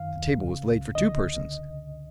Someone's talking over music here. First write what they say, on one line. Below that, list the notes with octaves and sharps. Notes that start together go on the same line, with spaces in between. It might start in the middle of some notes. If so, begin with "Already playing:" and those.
The table was laid for two persons.
Already playing: F#2 D#3 F5
D#2
C#3
C#2
D3 D#5